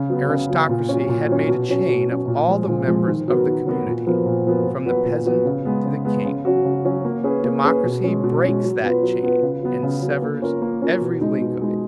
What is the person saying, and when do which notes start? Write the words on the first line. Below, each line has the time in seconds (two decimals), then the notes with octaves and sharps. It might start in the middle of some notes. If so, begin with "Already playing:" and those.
Aristocracy had made a chain of all the members of the community, from the peasant to the king: democracy breaks that chain, and severs every link of it.
Already playing: C#3
0.10 F#3 B3
0.29 C#3
0.50 F#3 B3
0.69 A#2
0.89 F#3 C#4
1.09 A#2
1.28 F#3 C#4
1.48 B2
1.68 F#3 C#4
1.88 B2
2.08 F#3 C#4
2.28 A#2
2.48 F3 G#3
2.67 A#2
2.88 F3 G#3
3.08 D#3
3.28 F#3 B3 F#4 A#4
3.47 D#3
3.66 F#3 B3 F#4 A#4
3.86 A#2
4.07 F3 B3 F#4 A#4
4.26 A#2
4.47 F3 B3 F#4 A#4
4.67 A#2
4.86 F#3 B3 F#4 B4
5.06 A#2
5.25 F#3 B3 F#4 B4
5.45 C#3
5.65 G#3 B3
5.85 C#3
6.05 G#3 B3
6.25 C#3
6.45 F#3 C#4 F#4
6.65 C#3
6.85 F#3 C#4 F#4
7.05 A#3
7.24 C#4 G#4 B4
7.44 A#3
7.64 C#4 G#4 B4
7.84 B2
8.03 G#3 C#4
8.23 B2
8.43 G#3 C#4
8.64 F#3
8.83 B3 F4 B4
9.03 F#3
9.23 B3 F4 B4
9.42 C#3
9.62 F#3 B3
9.83 C#3
10.02 F#3 B3
10.22 A#3
10.42 C#4 F4 A#4
10.62 A#3
10.82 C#4 F4 A#4
11.01 B2
11.21 G#3 D#4
11.41 B2
11.61 G#3 D#4